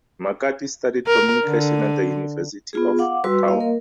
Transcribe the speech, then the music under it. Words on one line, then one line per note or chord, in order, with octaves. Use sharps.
Makati studied Communication at the University of Ottawa.
A#4
D3
B3 F4 G#4
F5 F#5 D6
G3 F#4 B4 C6 E6
A#3 D#5 F5
A#4